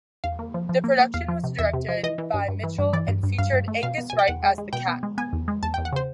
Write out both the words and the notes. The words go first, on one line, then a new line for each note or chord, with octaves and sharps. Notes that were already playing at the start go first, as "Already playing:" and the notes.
The production was directed by Mitchell and featured Angus Wright as The Cat.
E2 F5
A#3
F3
F3
A#3
A#3
E2 F5
F3
C3
E2 E5
C3
F3
E3 D#5
E3
G2
G2
E3
G2
E3 D5
G2
G2
G2 F5
G2
A3
B2 F5
B3
B2 G#5
G5
E2 F#5
G#3
G#3
B2 G5
B3
G#3
B3 G#5
E2
G#3
E2 A5
G5
E2
F#5
C#3 C5